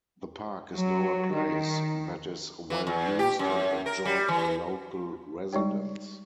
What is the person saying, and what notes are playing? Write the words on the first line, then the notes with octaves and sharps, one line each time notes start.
The park is now a place that is well-used and enjoyed by local residents.
F#3
D#3
E3
E2
G4
F#2
A#4
G3
E3
G3 G#3 D#4 C#5 G5